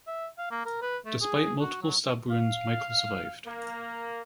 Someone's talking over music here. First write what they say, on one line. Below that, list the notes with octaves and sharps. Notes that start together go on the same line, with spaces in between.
Despite multiple stab wounds Michael survived.
E5
F5
A#3
A#4
B4
A3
G#4
F#4
F#3
F5
A#3